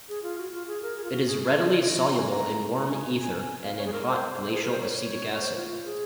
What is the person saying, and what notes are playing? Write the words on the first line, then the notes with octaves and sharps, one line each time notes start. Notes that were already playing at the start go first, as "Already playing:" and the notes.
It is readily soluble in warm ether and in hot glacial acetic acid.
G#4
F4
F#4
F4
G#4
A#4
G#4
F4
F#4
G#4
G#4
D#5
C#5
D#5
A#5
G#5
A#5
A#5
G#5
F5
C#5
G#4
A#4
C5
G#4
A#4
C5
C#5
C#5
C5
F4
F4
G#4